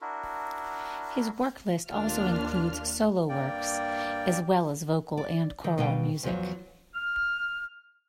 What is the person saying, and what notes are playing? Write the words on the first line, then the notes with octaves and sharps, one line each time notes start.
His work list also includes solo works as well as vocal and choral music.
D4 E4 F#4 A#4
D#2 A#3 D4 F4 F6
G2 A#3 D5 G5
D5
D#3 A4
B2 G3 D#5 F5 G5
E2 F3 F#3
F6